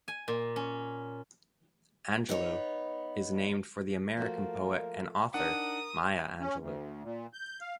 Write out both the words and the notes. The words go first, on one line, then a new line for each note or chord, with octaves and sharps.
Angelou is named for the American poet and author Maya Angelou.
G#5
A#2
C#4
B3 D#4 C#5
F3 A3 A#3 F#4
D4 D#4 A#4 F#5 D#6
C#4
D2
A#2
G6
F5